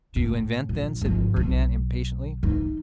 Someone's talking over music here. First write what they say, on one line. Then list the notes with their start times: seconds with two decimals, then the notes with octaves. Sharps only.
"Do you invent, then," said Fernand impatiently.
0.16 A2
0.69 A#1
1.02 G#1 F3
1.36 B1
2.43 E3 D#4